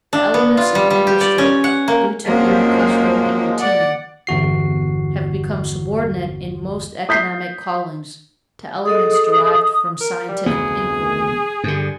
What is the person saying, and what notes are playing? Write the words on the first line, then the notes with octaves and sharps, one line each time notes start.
The elements in industry due to mere custom and routine have become subordinate in most economic callings to elements derived from scientific inquiry.
D4
B3
F4
G3
G3
G4
D5
C#4
F#5
A#3
F#2 F3 F#3 G#3 A#3 C4 C5
D5 F#5
G1 E2 F#4 C7
D#6 G6 B6 C7
G#4 A4 D#5 D#6
A#4
G3
F1 D2 B3 G#4
G2 D3